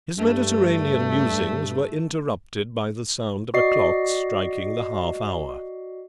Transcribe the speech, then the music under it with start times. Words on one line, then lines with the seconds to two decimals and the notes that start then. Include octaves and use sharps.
His Mediterranean musings were interrupted by the sound of a clock striking the half-hour.
0.18 G2 A3
3.54 F#4 D5 D#5 C7